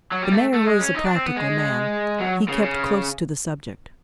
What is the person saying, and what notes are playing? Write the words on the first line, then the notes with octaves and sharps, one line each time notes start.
The mayor was a practical man; he kept close to the subject.
F#3
G3
A3
A3
G#3
C#4
D#4
D4
C4
B3
G#3
F#3
C#3
C#3